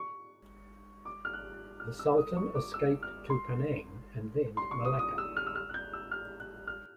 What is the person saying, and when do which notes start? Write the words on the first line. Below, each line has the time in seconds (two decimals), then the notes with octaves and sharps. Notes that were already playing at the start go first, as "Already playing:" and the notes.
The Sultan escaped to Penang and then Malacca.
Already playing: C#6
1.05 D6
1.25 F6
1.33 F#6
1.80 F6
1.99 E6
2.18 D#6
2.37 C#6
2.55 D6
2.74 E6
3.03 F6
3.30 C6
4.57 C6
4.71 C#6
4.85 D#6
4.99 D#6
5.18 E6
5.37 F6
5.47 E6
5.55 F6
5.69 F#6
5.74 G6
5.93 E6
6.11 F6
6.40 F#6
6.67 F6